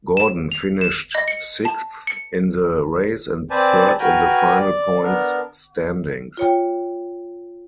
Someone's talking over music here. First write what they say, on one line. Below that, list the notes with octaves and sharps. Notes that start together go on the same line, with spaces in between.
Gordon finished sixth in the race and third in the final points standings.
E7
F7
E7
D#5
C#7
A5
C#7
C4 B4 C5 D5 G#5 A5
F#4 B4 G5 G#5 A#5 F6
D5
B3 D4 A#4
F4 C#5 G5